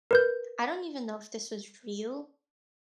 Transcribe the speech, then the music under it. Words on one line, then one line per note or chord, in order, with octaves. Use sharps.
I don't even know if this was real,
A#4 B4 G6